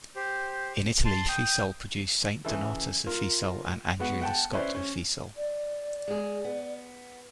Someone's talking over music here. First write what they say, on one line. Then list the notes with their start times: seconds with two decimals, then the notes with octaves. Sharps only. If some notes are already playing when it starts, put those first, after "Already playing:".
In Italy, Fiesole produced Saint Donatus of Fiesole and Andrew the Scot of Fiesole.
0.16 G4 C5
1.05 A5 C6
1.29 G5 D#6
2.45 C#3 E3 E4 A4
3.07 F4 A#4
3.99 G#3 B3 F#4 F#5
4.21 F#5 G5 A5
4.53 C#4 E4 B4 C5 D5
4.75 C#4
5.37 D5
6.08 G#3 G#4
6.45 B3